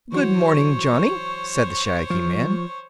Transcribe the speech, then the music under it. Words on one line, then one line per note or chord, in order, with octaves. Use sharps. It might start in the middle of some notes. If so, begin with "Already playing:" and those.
"Good morning, Johnny," said the shaggy man.
E3 F#3 F#4 C5 C#5 C#6
F3